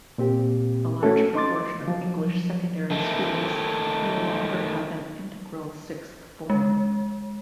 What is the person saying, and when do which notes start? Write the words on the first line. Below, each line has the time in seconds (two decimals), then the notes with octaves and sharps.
A large proportion of English secondary schools no longer have an integral sixth form.
0.18 A#2 C4 G4
1.03 A3 C#4 F#4 A4
1.35 D#4 C6 D6 A6
1.88 F3 F#3
2.90 D#3 A3
6.50 G#3